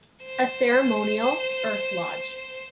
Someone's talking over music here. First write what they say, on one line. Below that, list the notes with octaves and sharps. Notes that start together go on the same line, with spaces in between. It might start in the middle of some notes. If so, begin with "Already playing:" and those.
A ceremonial earth lodge.
C5 E7